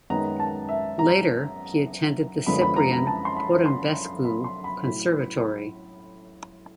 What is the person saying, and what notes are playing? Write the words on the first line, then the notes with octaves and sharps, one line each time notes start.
Later he attended the Ciprian Porumbescu Conservatory.
F#2 D#3 G#3 B3 A#5
A5
E5
A#5
F#2 D3 F3 G#3 B3 B5
B5
A#5
A#5
A5
C6
B5
C6
B5
C6
B5
A2 F#3 A3 B5